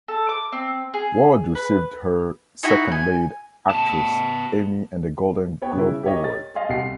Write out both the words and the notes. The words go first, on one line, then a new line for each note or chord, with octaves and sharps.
Ward received her second lead actress Emmy and a Golden Globe Award.
A4
D6
C4
G#4
B4
D#4 E4 F#4
G#5
B3 A5
B3 B4 C#5 G5
C#3 E4
G4 A#4 C#5 D#5
A6
D#5 F5 G#5 C6
C2 F#5 C7